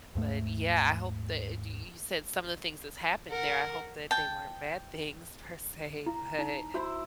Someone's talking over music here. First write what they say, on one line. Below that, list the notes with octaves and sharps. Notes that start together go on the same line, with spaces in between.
but, yeah, I hope that d y you said some of the things that's happened there, I hope that they weren't bad things per se, but
D#2 G#2 A3
A#4 F#5
G5 A5
E4 A#5
D#4
E4 F#4 C5 E5